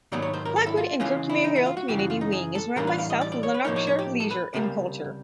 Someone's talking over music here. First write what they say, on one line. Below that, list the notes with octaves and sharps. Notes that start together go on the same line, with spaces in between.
Blackwood and Kirkmuirhill Community Wing is run by South Lanarkshire Leisure and Culture.
G#2 D#3 F#3 B3 D5
C#5
C5
A#4
A4
E4
F4
C#2 C#3 E3 G#3 C#4 F4
E4
D#4
E4
F4
F#4
F#2 C#3 E3 G4
F#4
F4
D#4
G#4
A4
A2 E3 G3 A#3 D4 A#4
B4
F5
D#5
D5
D5
C#5
B4
A2 F3 A#3 D#4 C#5
C#5
C#5
G4
A4
B4
C#2 C3 E3 G3 A#3